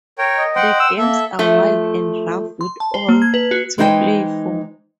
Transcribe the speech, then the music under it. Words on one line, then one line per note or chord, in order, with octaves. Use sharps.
The games are wild and rough with all to play for.
A#4 C#5 G5
D#5
C5 F#5 G5
E6
A#3 A4 E5
F3 A3
C6
A5
C5
A#3
G#6
B4
F#4
E3 G#3 D#4 C5 D#5 G5